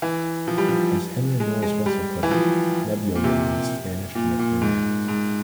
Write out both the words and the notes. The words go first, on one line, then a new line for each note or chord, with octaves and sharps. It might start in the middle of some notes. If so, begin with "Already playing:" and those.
As Henry Norris Russell put it, Nebulium has vanished into thin air.
E3
F3
G3
F3
G#3
G#3
G3
E3
F3
A#2
C3
A#2
A#2
G#2
G#2